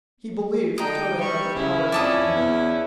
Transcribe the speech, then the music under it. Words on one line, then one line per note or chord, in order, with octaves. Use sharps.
He believed Tode had the power he claimed.
D3 D#4 G5 D#6
G3 C#6
C#3 C#4 E4
F2 D5 A5 D#6
E2